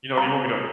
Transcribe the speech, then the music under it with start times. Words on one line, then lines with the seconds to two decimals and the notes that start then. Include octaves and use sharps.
you know, "you want me to
0.18 A#5